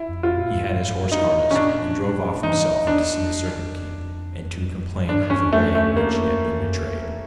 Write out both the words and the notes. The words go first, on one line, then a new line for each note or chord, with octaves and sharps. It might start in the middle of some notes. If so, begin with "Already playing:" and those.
He had his horses harnessed and drove off himself to see the Serpent King and to complain of the way in which he had been betrayed.
Already playing: E4
F2
F4
A#2
A2
G#2
A2
D#4
C#4
A#2 D4
A#2
B2
A#2
E3 D#4
F2
E2 D4
F2
G#2
G2 D4
C#4
E2
F2 A3
A3
F2 A#3
F#2
F2
E2